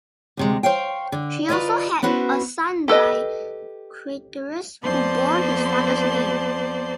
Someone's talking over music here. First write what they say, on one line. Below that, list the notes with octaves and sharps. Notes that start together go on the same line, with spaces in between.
She also had a son by Craterus, who bore his father's name.
D2 C3 G#3
C5 C#5 F5 G5
D3
F4 B4 D5 D#5 A#5
B3 C#4 E4 F#4 B4 C5
G4 A4 B4 D#5
F2 B3 C5 D5 A5 C6